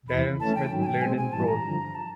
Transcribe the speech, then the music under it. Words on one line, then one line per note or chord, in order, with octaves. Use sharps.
Darren Smith played in the Proles.
E2 C3 E3 B5
E3 A3 C#4 A5
G5
G#2 D#3 F#3
G#5
G5
B2 G#3 C4 G#5
G#5
G#2 E3 G3 A5
A#5
G2 D3 F3
A5